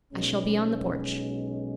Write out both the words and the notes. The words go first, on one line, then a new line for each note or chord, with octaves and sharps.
I shall be on the porch.'
B1 B2 G#3 C#4